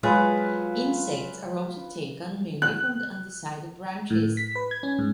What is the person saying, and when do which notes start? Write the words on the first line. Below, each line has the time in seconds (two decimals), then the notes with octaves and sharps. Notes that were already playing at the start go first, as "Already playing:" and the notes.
Insects are also taken, mainly from the underside of branches.
0.03 F#3 G#3 F4 G#4 B4
2.62 F#6
4.10 A2
4.37 B6
4.55 B4
4.71 G#6
4.83 C#4
4.99 G#2